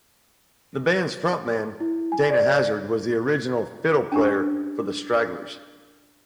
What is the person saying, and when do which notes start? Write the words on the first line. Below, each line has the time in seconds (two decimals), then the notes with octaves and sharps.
The band's front man, Dana Hazzard, was the original fiddle player for the Stragglers.
1.80 E4
2.12 G#5
2.31 D5
4.12 C#4 D4 G4